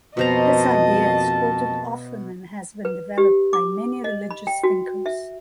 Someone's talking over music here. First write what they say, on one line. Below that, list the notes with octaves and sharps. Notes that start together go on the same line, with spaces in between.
This idea is quoted often and has been developed by many religious thinkers.
F2 B2 A#3 C5 D#5 A5 A#5
B4
G4
D6
D#5
B5
G5
F#4
E5